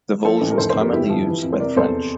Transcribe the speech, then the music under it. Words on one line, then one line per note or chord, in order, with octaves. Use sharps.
The voulge was commonly used by the French.
F3 A4 C5
A1
A#4
F1 A4 C5
A4 C5
F1 G4 A#4
G1 E4 G4
F3
E3
F2
C5
C3 A#4 D5
E2 A4 C5